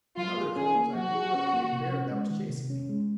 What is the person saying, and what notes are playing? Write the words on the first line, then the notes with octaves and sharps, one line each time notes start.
And other cones I threw at a big bear that was chasing me.
F#3 F4
G#4
C#4 G#4
A#3
F#3 F#4
G#4
C#4
A#3
C3
C#4
G#3
D#3
C3
C#4
G#3